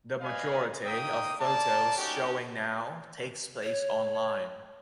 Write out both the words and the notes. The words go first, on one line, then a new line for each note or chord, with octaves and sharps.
The majority of photo showing now takes place online.
B4 D5 D#5 F5 G#5
A#3 D#4 G5 D#6
A#3 D5 A5
C#4 D#4 F#4 G4
C#5